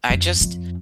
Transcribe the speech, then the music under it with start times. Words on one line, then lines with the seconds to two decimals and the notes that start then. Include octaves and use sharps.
I just
0.10 F2
0.41 F2